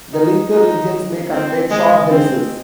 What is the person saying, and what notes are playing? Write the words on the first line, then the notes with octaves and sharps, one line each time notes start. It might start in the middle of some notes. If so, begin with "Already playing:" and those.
The linker regions may contain short helices.
D#4
D#4
C4
G#3
C4